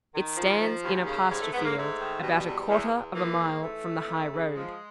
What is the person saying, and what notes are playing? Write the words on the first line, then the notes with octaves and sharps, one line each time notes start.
It stands in a pasture-field, about a quarter of a mile from the high road.
D#3
F3
F3
D#2
C#3
G#2 G3
A3
G#2 B3
A#3
G#2 A3
D#3
B2 G3
E2
E2
E2
E3 A#3
G#2
E3 A3
E3
F2
C#3
F3 G#3